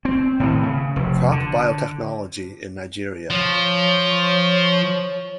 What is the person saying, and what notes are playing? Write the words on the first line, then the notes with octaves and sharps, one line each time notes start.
Crop Biotechnology in Nigeria.
C4
A2 D#3 E3
C#3
F1
D3
F3 C#5